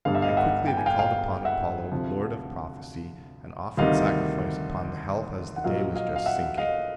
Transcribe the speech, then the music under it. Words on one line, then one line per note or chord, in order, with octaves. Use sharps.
And quickly they called upon Apollo, lord of prophecy, and offered sacrifice upon the health as the day was just sinking.
G1 G2 D3 G3 F5
E5
D#5 F5
E5 F#5
G5
G#5
F5 G5
F5 G5
E5 F#5
D2 C3 F3
D2 C3 D#3 G3 D#5 F5
F#5
A#1 A#2 F#3 D#5 F5
D#5 F5
F5
E5 F#5
D#5 F5